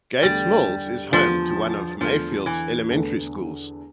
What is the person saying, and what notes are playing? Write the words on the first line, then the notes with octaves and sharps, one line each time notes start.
Gates Mills is home to one of Mayfield's elementary schools.
E2 D3 G3 A3
E2 D3 F3 A3
E2 D3 F3 A3
E3
E2 D3 A3